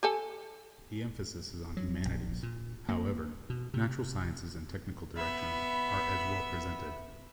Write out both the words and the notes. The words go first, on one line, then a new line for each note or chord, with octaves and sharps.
The emphasis is on humanities; however, natural sciences and technical directions are as well presented.
G4 A4 G#5
F#3
A#1
A#2
A#3
B2
C3
B3 E5